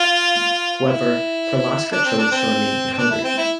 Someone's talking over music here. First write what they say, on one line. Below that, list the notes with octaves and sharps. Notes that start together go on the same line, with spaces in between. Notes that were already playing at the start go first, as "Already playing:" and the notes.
However, Perlasca chose to remain in Hungary.
Already playing: F4
E4
E4
D4
C4
D4
C4
C4
D4
E4
C4
E4